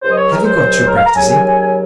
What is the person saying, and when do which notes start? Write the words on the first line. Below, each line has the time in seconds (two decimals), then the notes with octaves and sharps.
Have you got through practising?
0.03 C#2 C#3 F#3 C5
0.11 D#5
0.17 C#5
0.31 A#4
0.45 C5
0.87 A#4
0.97 F5
1.06 A#5
1.16 D#2 C#3 F#3 G#5
1.62 G#5